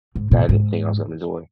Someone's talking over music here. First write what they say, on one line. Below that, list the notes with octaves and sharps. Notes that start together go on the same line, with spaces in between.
That, I didn't think I was gonna enjoy.
G#2
A#2
G#2